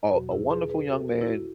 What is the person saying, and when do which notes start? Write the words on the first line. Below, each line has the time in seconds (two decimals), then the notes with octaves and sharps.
uh, a wonderful young man,
0.11 E2 B2 F#3 F#4
0.31 E4 G#4
0.50 G#4 B4
0.70 G#4 B4
0.89 F#4 A4
1.08 F#4
1.21 E4
1.27 F#4